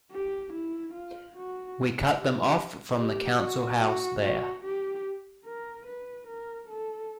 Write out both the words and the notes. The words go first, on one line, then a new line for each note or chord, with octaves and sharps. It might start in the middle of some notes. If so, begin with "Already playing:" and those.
We cut them off from the Council House there.
G4
E4
F4
F#4
G4
G4
F#4
F#4
F#4
G4
A#4
B4
A#4
A4